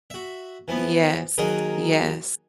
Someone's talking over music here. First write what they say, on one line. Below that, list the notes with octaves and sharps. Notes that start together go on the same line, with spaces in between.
Yes, yes.
F#4 E5
E3 F3 B3
D#2 F#3 D#4 G#4 A#4 D#6